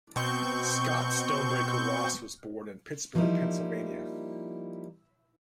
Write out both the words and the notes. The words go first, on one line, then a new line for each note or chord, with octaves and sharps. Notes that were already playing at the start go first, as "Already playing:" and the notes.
Scott Stonebreaker Ross was born in Pittsburgh, Pennsylvania.
B2 C4 C#6 G6
F3 G3 A#3 D#4 E4